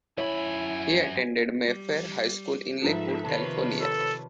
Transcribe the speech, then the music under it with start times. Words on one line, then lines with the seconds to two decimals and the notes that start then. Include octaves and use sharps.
He attended Mayfair High School in Lakewood, California.
0.18 F#2 E4 C#5 G#5 B5
1.65 G3
2.82 G#2 F3 A4 B4 E5
3.24 C3 D#3 F3 B4 C#5 A5
3.81 A4